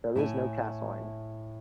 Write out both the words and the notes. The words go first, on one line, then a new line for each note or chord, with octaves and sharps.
There is no castling.
A2 E4 G#5